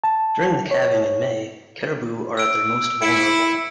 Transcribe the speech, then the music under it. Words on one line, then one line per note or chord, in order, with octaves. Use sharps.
During the calving in May, caribou are at their most vulnerable.
A5
C#5
E6 D7
E4 C#7 D7